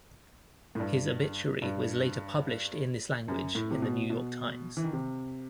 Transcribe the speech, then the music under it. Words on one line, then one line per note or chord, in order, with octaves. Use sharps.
His obituary was later published in this language in the "New York Times".
A2
G2
G2
F#2
A2
C3
B2
B2
E3
D#3
C3